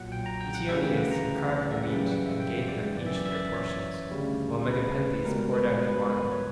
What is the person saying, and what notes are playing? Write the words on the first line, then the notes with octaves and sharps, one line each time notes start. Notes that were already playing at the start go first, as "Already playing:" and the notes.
Eteoneus carved the meat and gave them each their portions, while Megapenthes poured out the wine.
Already playing: B1 A#2 F#3 F#5
G5
A#5
G5
F#5
D2 C#3 E3 G3 E5
G5
F#5
A#5
D5
E5
F#2 C#3 E3 G3 F#5
G5
F#5
E5
G5
D5
G1 F#2 E3 D5
E5
D5
E5
D5
C#5
D2 C#3 G3
B4
C#2 B2 G3 A#4
B4
B4
B4
C#5